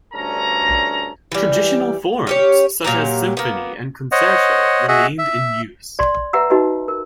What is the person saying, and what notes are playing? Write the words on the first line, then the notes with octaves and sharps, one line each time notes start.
Traditional forms such as the symphony and concerto remained in use.
D2 G2 C#4 A4 A#5
E3 G3
C#4 G4 C#5
A#2 F#3 G4 A#5
A#3 B3
C5 C#5 D#5 F#5
F#4 G#4 D#5 E5 F#5
E5
D5 C6
B4 E5 F#5 A#5 E6
D#4 F#4 B4 D#5
A#4